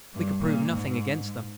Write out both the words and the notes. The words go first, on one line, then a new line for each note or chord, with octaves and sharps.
We could prove nothing against them.
G2
A#2
G#2